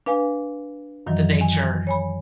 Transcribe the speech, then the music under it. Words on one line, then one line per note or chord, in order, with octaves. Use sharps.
the nature
D4 B4 F5 G#5
F#2 D#3 E3 F#3
G#5
C#5 G#5 B5